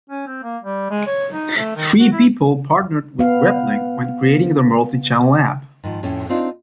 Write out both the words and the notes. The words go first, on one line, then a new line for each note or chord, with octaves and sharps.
Free People partnered with WebLinc when creating their multichannel app.
C#4
C4
A#3
G3
G#3
C#5
D#4
A3
D#3
F#4
E4
B3 F5
G#2 D#3 F3
F2 A2 A3 C#4
C4 D4 D#4 F4